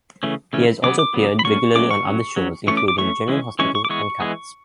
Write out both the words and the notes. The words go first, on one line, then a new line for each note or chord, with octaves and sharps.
He has also appeared regularly on other shows, including "General Hospital" and "Cuts".
C#3 E3 A3 C#4
C#3 E3 A3 C#4
C#3 F#3 B3 D6
D6
C#3 F#3 B3
B5
F#3 A3 C#4 C#6
F#3 A3 C#4 D6
C#6
F#3 C#4
F#3 C#4
E3 A3 C#4 C#6
D6
D6
E3 A3 C#4 C#6
E3 G#3 C#4
E3 G#3 C#4 C#6
C#6
D6
E3 G#3 B3 C#6
E3 G#3 B3